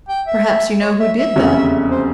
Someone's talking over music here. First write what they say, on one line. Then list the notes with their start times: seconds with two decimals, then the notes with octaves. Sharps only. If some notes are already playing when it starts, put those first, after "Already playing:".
"Perhaps you know who did, then?"
0.09 G5
0.27 E5
0.81 C#5
0.99 E5
1.18 E5
1.36 F1 E2 C#3 G3 C#4
1.90 C5